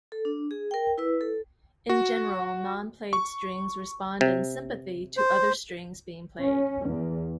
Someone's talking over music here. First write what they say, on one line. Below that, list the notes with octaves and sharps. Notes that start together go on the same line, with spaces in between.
In general, non-played strings respond in sympathy to other strings being played.
A4
D4
G#4
A#4 G5
E4 B4 E6
A4
F#4
C#6
C3
C5
C#4
E2